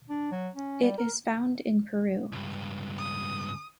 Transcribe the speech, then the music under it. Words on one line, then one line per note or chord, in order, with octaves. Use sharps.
It is found in Peru.
D4
F#3
C#4
G3
A#4
C#2 G2
D#6